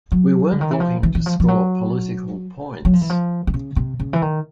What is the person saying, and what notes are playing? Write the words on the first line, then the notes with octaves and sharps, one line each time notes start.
We weren't looking to score political points.
F#3
D3
D#3
E3
F3
E3
E3
F3
F3
F#3
F#3
F3
E3
F3
D3
C#3
C3
C#3
E3
D#3